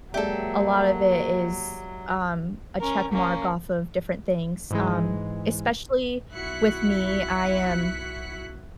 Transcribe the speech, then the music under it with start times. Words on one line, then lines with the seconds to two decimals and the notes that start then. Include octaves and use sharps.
a lot of it is, um, a check mark off of different things, um, especially with me, I am
0.14 F#3 G#3 A#3 G4 A4 D5 E5
2.80 C#4 A#4
3.12 A#3 C#4
4.71 G#2 E3 G#3
6.32 B1 E4 F#4 F#6 B6 C#7